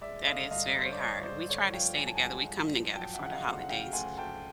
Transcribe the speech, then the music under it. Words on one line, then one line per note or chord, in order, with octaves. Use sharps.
That is very hard, we try to stay together, we come together for the holidays,
G#3 D5 E5
D3 D#5 F5
G2 D#5 F5
G2 C5
C#5
D5
G2 C#5 D#5
G2 C5 D5
D3 C#5
F3 F5 G5
F3 G#5
A5
F#5 G#5
G#3
G2
F3
F#3 G5 A5
E5 F#5
C#3
F#5
D#5 F5
D2
F#5
C#3 F5 G5
D2 F#5 G#5
D2 G5 A5